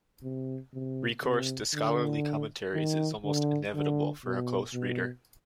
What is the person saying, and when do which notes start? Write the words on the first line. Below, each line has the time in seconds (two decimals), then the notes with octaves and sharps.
Recourse to scholarly commentaries is almost inevitable for a close reader.
0.23 C3
0.73 C3
1.23 C3
1.74 D3
2.74 D#3
3.24 D3
3.74 D3
4.25 B2
4.74 B2